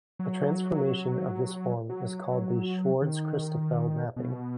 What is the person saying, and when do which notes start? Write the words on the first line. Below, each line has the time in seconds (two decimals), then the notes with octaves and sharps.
A transformation of this form is called a "Schwarz-Christoffel mapping".
0.19 F#3
1.89 F#3
3.02 D#3
4.16 B2